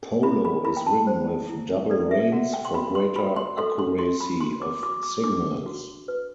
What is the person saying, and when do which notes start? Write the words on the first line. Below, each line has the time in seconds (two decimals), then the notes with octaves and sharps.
Polo is ridden with double reins for greater accuracy of signals.
0.23 E4 B5
0.45 B5
0.64 E4 B5
0.77 G5
0.86 A5
1.07 C5
1.49 E4
1.90 A4 D5
2.11 E5
2.32 F#4 F#5
2.54 G5
2.65 C6
2.74 F#4 B5
2.95 C6
3.16 F#4 B5
3.36 C6
3.58 A4 C6
3.79 C6
3.98 F#4 C6
4.21 B5
4.41 F#4 C6
4.62 D6
4.83 F#4 D6
5.03 D6
5.24 D4 D6
5.66 F#4
6.08 B4